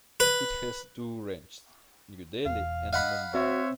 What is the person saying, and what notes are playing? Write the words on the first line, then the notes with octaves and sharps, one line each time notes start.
It has two ranges: New Delhi and Mumbai.
B4
E1 F5
D#5 F5 F#5 B5
C4 F#4 C5 C#5 E5